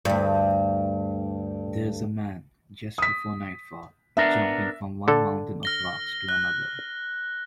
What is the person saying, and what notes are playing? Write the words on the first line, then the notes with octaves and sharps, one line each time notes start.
There is a man, just before nightfall, jumping from one mountain of rocks to another.
D2 G2
D#6 B6
B3 D4 A#4 E5
D3 A4
F6 A#6 G7
F#6